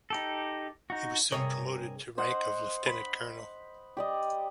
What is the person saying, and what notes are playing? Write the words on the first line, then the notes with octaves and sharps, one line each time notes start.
He was soon promoted to rank of Lieutenant Colonel.
D#4 G4 A4
D#4 F#4
G2 C3 G#4 A#4 C#5 D#6
C5 D#5 F#5
B5
G4 D5 D#5